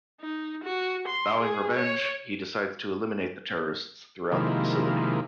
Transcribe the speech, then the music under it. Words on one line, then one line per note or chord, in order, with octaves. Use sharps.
Vowing revenge, he decides to eliminate the terrorists throughout the facility.
D#4
F#4
C6
G#4
C#5
C3 D#3 F3 G#3 A#3 E4